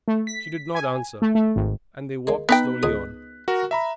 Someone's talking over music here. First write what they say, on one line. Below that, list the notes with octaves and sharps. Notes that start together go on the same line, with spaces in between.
She did not answer, and they walked slowly on.
A3
B6
G#5
A3
A3
G#1
G#3 A#3
B3 D#4 G5 F#6 B6
C#2 G#3 D#6
F#4 A#4
E5 A#5 B5